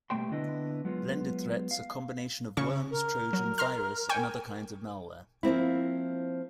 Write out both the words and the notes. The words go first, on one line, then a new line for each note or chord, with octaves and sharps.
Blended Threats are combination of worms, trojan, virus, and other kinds of malware.
B2 G3 A3 A#3 G5 C6
D3 B3 D4 E4 D#5
F#3 G#3 B3 F4
F5
C#3 C#4 C#6
A#4
F#3
A#5 C6 F6
G5 G#5 C#6
F3 A#3 C4 E4